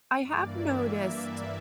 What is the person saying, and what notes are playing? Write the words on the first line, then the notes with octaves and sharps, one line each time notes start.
I have noticed
G2 E3 A#3 D5
E5
E5